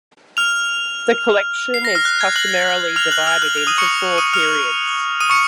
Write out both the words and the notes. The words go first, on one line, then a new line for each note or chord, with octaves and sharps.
The collection is customarily divided into four periods.
F6 F7
C7
A#6
F6
F#6
G#6
F#6 F#7
F6 F7
F#6 F#7
F6 F7
F#6 F#7
F6 F7
D#6 D#7
C#6 C#7
D#6 D#7
F6 F7
D#6 D#7
C#6 C#7